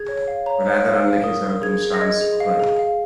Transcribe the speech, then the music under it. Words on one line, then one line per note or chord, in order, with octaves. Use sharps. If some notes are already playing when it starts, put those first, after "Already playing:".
A rather unlucky circumstance occurred.
Already playing: G#4 G#6
C#5
F5
C#5 A#5
C#5
F5
F5
A#4 D#6
A#4
G#4 G#6
G#4
A#6
D#5 G#6
G#4
F5
G#4
F5